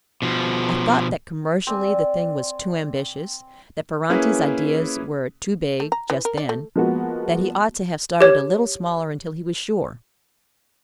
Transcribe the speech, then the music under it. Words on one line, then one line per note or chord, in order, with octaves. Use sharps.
I thought that commercially the thing was too ambitious, that Ferranti's ideas were too big, just then; that he ought to have started a little smaller until he was sure.
B2 F3
C4 D5 G#5
A#3 C#4 E4 G#4 B4
A3
A#5
E3
A#4
D5
A3
F3 G#3 A#3 B3 F#4
G4 C#5